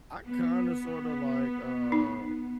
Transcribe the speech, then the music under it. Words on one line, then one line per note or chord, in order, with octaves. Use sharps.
I kinda sorta like, uh
B3
D#4